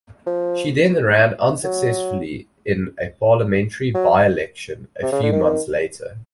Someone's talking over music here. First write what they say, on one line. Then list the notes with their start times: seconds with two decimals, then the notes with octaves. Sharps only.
She then ran unsuccessfully in a parliamentary by-election a few months later.
0.27 F3
1.64 F#3
3.95 F#3
5.03 C3
5.12 C#3
5.23 D3
5.32 D#3